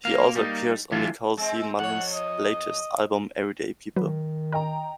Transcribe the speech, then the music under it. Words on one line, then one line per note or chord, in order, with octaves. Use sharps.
He also appears on Nicole C. Mullens' latest album, "Everyday People".
A#3 F5
G3 D#4
E3 F#3 A3 D4 F4
G#3 C4
F2 C#5 F#5
D#5
D#3 F#3 B4
A#4 D#5 G5 A#5